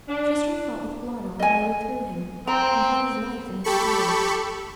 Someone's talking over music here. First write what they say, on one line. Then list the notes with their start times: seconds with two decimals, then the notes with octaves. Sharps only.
Tristram fought with Blaanor, and overthrew him, and held his life in his power.
0.08 D4
1.39 D#5 G#5
2.47 C4 A#5
3.64 G4 A4 B5 C#6